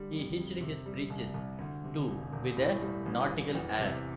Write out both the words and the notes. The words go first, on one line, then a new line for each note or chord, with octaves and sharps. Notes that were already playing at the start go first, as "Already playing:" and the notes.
He hitched his breeches, too, with a nautical air.
Already playing: D3 G3
F2
F2
C3
G3
C2
C2
D2
C3
E1
E1
A2
G3
A1
A1
E2
C3